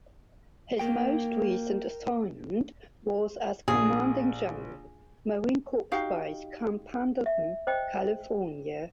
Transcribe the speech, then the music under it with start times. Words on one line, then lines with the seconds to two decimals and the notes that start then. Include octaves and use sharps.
His most recent assignment was as Commanding General, Marine Corps Base Camp Pendleton, California.
0.79 A#3 A#4 G5
3.68 A#1 G#4
5.92 D#4 F#4 G4 F5
7.26 E5
7.67 C5 D#5 G5